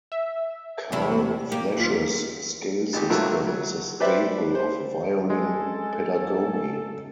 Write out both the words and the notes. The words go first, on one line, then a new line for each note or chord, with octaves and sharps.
Carl Flesch's "Scale System" is a staple of violin pedagogy.
E5
E2 C3 E4
A#3 G4
D#2 F4
G#1 G4
C3 D#3 F#3 A3 A#3
F#3
G4 B4 C5 D5 E5
C5
G#3 A4 G#5